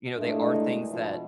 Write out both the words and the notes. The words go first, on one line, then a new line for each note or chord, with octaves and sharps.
you know, they are things that
G2 A#2 G#3 A3 D4 E4
B2 F3 B3 E4